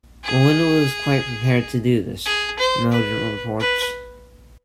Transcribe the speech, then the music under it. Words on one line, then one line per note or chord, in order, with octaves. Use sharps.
"Melinda was quite prepared to do this," Modin reports.
G#4
G#4
C5
B4
B4